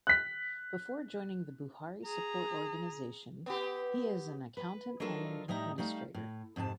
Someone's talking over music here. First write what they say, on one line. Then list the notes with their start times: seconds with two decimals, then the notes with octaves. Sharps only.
Before joining the Buhari Support Organisation He is an accountant and an administrator.
0.07 F#6 B6
2.06 G#4 A#5
3.46 B3 G4
4.57 B4
5.00 F#3 D4 D#4 F4 A4 A#4
5.48 A2 G3 D#4 E5 A#5
5.78 G3 A3 D#4 F5
6.14 A2
6.56 F2 G#2 C3 A5